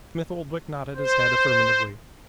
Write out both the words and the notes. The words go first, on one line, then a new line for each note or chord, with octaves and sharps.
Smith-Oldwick nodded his head affirmatively.
C5